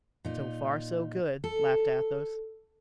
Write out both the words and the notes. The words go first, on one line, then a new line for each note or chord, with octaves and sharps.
"So far, so good," laughed Athos.
A#2 D#4
A4